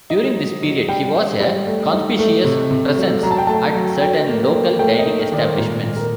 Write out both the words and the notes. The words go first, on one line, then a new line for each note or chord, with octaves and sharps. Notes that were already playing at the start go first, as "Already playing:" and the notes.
During this period, he was a conspicuous presence at certain local dining establishments.
D#4 D#5
F#3
F#3
G3 G5
G3
G3
A3
D#4
A3
C3
C3
F#3
F#3 A#5
A5
G5
A3 A5
F#3
F#3 G5
A#3
A#3
A3 G5
D#5
D#4
A#4
D#3 D5
C5
A#2 A#4
A#2
A#4